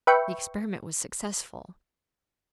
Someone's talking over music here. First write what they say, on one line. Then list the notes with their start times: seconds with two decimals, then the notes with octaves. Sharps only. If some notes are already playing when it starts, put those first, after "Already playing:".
The experiment was successful.
0.07 B4 E5 G5 C#6